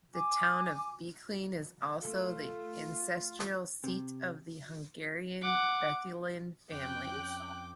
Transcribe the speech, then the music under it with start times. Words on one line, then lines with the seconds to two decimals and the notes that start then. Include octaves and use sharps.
The town of Beclean is also the ancestral seat of the Hungarian Bethlen family.
0.15 G#5 D6
2.01 A3 F4 A4
3.84 C3
5.42 F#5 D6
6.72 F2 C#4 G5 D6 F#6